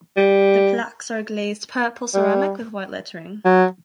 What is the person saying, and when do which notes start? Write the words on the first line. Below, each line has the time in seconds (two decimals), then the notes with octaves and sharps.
The plaques are glazed purple ceramic with white lettering.
0.17 G3
2.14 G3
3.45 F#3